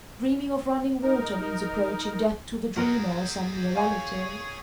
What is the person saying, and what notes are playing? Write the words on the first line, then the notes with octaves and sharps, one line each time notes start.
Dreaming of running water means approaching death to the dreamer or some near relative.
D#4 A#4
F#4 G#4 A#4 D#5 F#5
C#5 F5 G#5